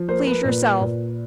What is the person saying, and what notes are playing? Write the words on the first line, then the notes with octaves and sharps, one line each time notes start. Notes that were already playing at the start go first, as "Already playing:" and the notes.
Please yourself.
Already playing: F3
A#3 C5
B4
A#2 B4
A#2